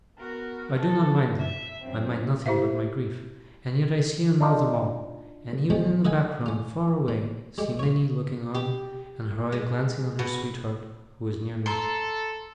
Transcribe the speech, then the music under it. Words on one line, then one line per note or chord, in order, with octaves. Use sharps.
I do not mind them--I mind nothing but my grief--and yet I see and know them all; and even in the background, far away, see Minnie looking on, and her eye glancing on her sweetheart, who is near me.
B3 F#4 A#4
F#4 A4
E5
F#2 C4
E4 G4 C5 E5 F5
D4 D#4 F4
E3 G3 G#3 B3 C#4
B4 D#5 E5 F#5 G#5
C#4 F4
A#2
G3 G#3 G4
F4 C#5
G4
G#3
B2
A4 A#5 C6